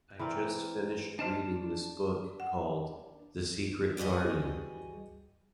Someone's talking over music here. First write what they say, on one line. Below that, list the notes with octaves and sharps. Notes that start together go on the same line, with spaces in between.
I just finished reading this book called "The Secret Garden."
E3 C4 A#4 D5
D4 D#4 C5 D#5 A5 F6
F#5
E3 G3 F#4 G#4 D#5